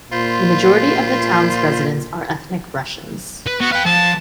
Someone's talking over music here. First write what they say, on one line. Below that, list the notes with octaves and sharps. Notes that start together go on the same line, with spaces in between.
The majority of the town's residents are ethnic Russians.
A#2 F4 C5 B5 C6
B4
B3 F#4
B4 F5 G5
F3 A5